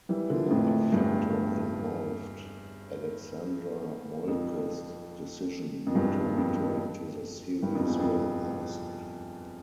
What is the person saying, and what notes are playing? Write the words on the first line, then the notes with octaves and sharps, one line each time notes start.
Another factor involved Alexandra Moltke's decision not to return to the series when asked.
E3 G3
D3 F3
F2 A2
E2 G2
F2
F2
E2 G2
F2
F2
G2
F2
E2
F2